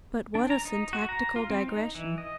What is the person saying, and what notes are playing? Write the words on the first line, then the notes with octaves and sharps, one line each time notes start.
But what a syntactical digression!
D4
A#5
D#4
F#4
A#5
F4
C4
D#4
E3
D#5